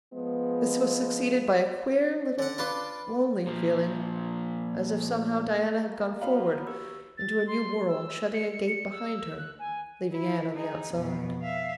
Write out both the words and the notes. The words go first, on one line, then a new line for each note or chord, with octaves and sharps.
This was succeeded by a queer, little lonely feeling . . . as if, somehow, Diana had gone forward into a new world, shutting a gate behind her, leaving Anne on the outside.
F3 G#3 B3
D3 F#5
D4 F4 B4 A5 D6
A#2 F3
A#3
B3 F#4 C#5 F5 A#5 B5
G4 E6
A6
C6
E6
C#7
E6
F#6
G#5
E4
D#4 G#4
F2 B2
E5 F5